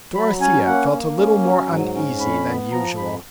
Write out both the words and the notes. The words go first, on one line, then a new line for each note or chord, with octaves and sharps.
Dorothea felt a little more uneasy than usual.
F#3 B5
C#4 G#5
A#3 F#5
A#3
C#4
F#3
G#2
C#4
F2 B5
B3
F3 A#5
F2 B5